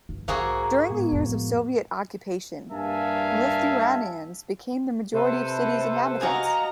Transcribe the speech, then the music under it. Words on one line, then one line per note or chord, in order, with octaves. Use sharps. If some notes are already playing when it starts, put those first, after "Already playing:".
During the years of Soviet occupation, Lithuanians became the majority of city's inhabitants.
G2
B1 G#2 A#3 F#4 G#4 C5 E6
A#5
A2 G#3 B3
F2
G2 A#3 E5 F5 G#5 A5
C3 A4 B4 C5
F#4 D#5 F5 G#5 A#5